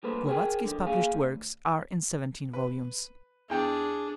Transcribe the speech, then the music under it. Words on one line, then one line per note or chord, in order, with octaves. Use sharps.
Glovatski's published works are in seventeen volumes.
G2 A3 A#3 A4 B4 C5
G#4 A#4 B4 G5 G#5
D3 F3
A#3 G#4 F5 G#5
D2
B4
E2 D4 G#4 G5